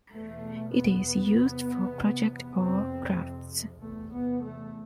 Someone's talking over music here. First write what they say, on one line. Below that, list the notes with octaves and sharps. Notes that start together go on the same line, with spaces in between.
It is used for projects or crafts.
E2 B2 A3
B3
E2 C3
F2 C3 C4
E2 C3 A3
B3
A3